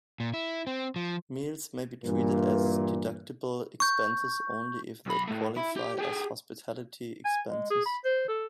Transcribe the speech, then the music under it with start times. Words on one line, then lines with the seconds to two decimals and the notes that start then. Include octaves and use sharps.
Meals may be treated as deductible expenses only if they qualify as hospitality expenses.
0.20 A#2
0.34 E4
0.67 C4
0.96 F3
2.04 G2 A#2 E3 A#3
3.80 C#6 G6
5.06 B1 B5
5.28 A2 A3
5.57 E4
5.76 G4
5.99 G4 G#4
7.25 G#5
7.48 G#3
7.70 G#4
7.86 B5
8.05 C5
8.28 A4